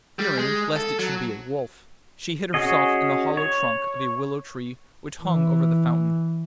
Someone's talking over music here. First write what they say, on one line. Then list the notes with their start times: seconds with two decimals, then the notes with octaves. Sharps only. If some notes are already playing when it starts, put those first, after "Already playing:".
Fearing lest it should be a wolf, she hid herself in the hollow trunk of a willow tree which hung over the fountain.
0.19 G3
0.39 G#3
0.77 A4
0.99 F#3
2.54 C#4 F#4 G#4 D#5
3.37 C#5
5.22 E3